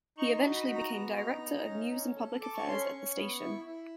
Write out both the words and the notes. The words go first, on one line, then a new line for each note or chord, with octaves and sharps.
He eventually became Director of News and Public Affairs at the station.
D#4 C#6
C6
F#4
B5
F#4
A#5
B3
D#4
D#4
C#4
C#4
A4
A4 D6
C#6
C#4 C6
C#6
C#4
B3
E4
E4